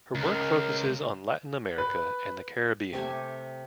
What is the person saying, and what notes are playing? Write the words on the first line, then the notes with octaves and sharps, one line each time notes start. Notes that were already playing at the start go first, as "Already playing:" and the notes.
Her work focuses on Latin America and the Caribbean.
C#2 A#4
B4
C3 A3 G4 G#5